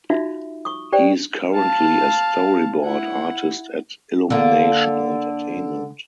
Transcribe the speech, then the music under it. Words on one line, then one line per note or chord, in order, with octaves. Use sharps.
He's currently a storyboard artist at Illumination Entertainment.
D#4 F4 F#4 E5 F5
C#6 D#6
G4 C5 D5 G5
F5 A5
E4 F#5
D3 A#3